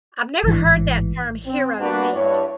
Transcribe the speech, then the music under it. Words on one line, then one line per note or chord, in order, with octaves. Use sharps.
I've never heard that term "hero meat."
A1 G#2 B2 E3
C4
A#3 B3 D4 F#4 B4 F#5
G2 E4 C#5